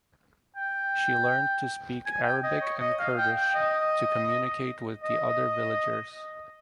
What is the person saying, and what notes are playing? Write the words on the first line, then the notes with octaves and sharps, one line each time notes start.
She learned to speak Arabic and Kurdish to communicate with the other villagers.
G5
G#5
G5
D#5
C#5
D#5
F5
G5
G5
D#5
D#5